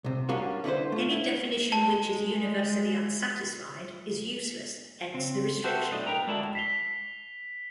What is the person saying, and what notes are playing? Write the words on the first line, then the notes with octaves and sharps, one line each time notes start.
Any definition which is universally unsatisfied is useless; hence the restriction.
C2 C3
G3 A#3 C#4 D4 F#4
D3 E4 F#4 B4 C5
A3 F4
E4
G#3 A5
C#3 C4
F#4 G4 A4 C5 E5 G5
B1 A2 A3 D4 D#5
A#4 B4 G5 A#5
D3 G#3 D4 E4 F#4 A5
B6 C7 F7 G7